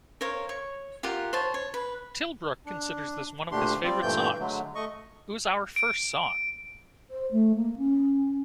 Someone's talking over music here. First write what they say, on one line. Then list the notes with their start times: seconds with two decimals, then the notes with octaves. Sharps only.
Tilbrook considers this one of his favourite songs: It was our first song.
0.21 A#4 C5 C#5 F5
0.49 C#5 C#6
1.03 F4 G4 A#4 F#5
1.33 C5 C#5 A5
1.54 C#5
1.74 B4
2.66 D4
3.51 D2 A#2 A3 D4 G4 C6
3.84 G3 C4 F4 D5
4.02 G2 A#2 E3 A3 G5 G6
4.39 D3 F#3 G#3 A3
4.75 A3 D#5 C#6
5.76 D7
7.10 C5
7.32 A3
7.55 A#3
7.77 C#4